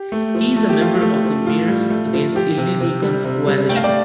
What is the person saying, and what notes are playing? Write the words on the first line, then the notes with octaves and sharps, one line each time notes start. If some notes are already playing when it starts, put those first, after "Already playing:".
He is a member of the Mayors Against Illegal Guns Coalition.
Already playing: G4
A3
F3
A3 A4
G4
F3 F4
G4
A3
F3
A2 F4
G3
A3
F3
F3 G4
C3
C3
G3
C3
G3
A3 G5
F5
D5 G5